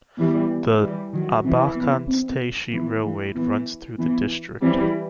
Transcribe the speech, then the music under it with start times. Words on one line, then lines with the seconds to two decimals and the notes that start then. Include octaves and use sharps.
The Abakan-Tayshet railway runs through the district.
0.18 E3 G3 B3
0.81 E3 G3
1.13 D#3 F#3
1.45 E3 C4
1.76 B3
2.08 C4
2.72 E3 B3
3.03 E3 A3
3.35 E3 B3
3.99 E3 B3
4.62 E3 G3 C4